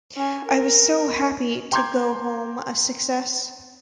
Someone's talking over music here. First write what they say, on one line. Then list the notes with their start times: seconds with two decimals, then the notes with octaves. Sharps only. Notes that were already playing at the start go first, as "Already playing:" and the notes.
I was so happy to go home a success.
0.17 C#4 G#5
0.46 A#4
1.72 G5 A#5 C6 D6 G6 G#6